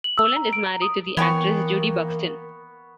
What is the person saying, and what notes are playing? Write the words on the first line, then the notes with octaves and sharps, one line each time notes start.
Holland is married to the actress Judy Buxton.
F#7
E6
A#5
D7
A#5
D#6
E3 A#3 B3 C#5 G5 G#5 C#6